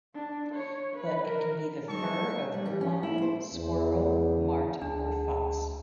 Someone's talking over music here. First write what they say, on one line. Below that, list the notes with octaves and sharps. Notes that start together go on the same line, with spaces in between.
But it can be the fur of ermine, squirrel, mart or fox.
D4
C#5
B4
A#4
F#3 G#3 C4 D#4 A5 C#6
G3
G4
C#4
E4
C5
E2
D2 D4 G#4 A5